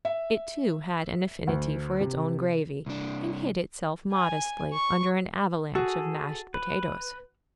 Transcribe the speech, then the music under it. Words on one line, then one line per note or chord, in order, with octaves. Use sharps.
It, too, had an affinity for its own gravy and hid itself modestly under an avalanche of mashed potatoes.
E5
D2
C3
C2 D4
G#5
C#6
F#4 G#4 A4
B4